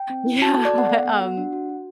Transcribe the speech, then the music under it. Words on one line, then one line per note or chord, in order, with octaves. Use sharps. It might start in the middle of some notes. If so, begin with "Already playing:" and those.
yeah, but, um
Already playing: G5
C4
E4
F#4 A5
A4 A5
D5
B3 F#5
A4 F#5
B3
F#4
D4
F#4
F#4